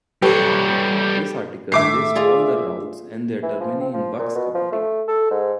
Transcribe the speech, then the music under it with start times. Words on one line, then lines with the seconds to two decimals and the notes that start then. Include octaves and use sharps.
This article lists all the routes and their termini in Bucks County.
0.22 G3 G4 A4 B4 C#5
1.72 A2 D#3 E5 D6 C7
2.15 F4 G#4 D5
3.43 E3
3.61 F3
3.81 C4
3.93 F3
4.19 A#2
4.35 B2
4.54 F3
4.72 A3
5.08 A4
5.31 G#2